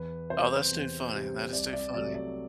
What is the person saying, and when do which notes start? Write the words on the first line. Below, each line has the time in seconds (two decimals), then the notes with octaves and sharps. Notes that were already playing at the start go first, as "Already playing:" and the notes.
Oh, that's too funny, that is too funny.
Already playing: E2 B4
0.30 C3 G3 C5
0.71 E2
1.12 C3 G3
1.53 C2 D5
1.73 D5
1.94 C3 F#3 A3 D5
2.14 D5